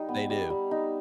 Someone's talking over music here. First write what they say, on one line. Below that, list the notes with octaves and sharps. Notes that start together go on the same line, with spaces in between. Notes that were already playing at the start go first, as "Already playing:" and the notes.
They do.
Already playing: G3 D#4
B3
G3
G3
D#4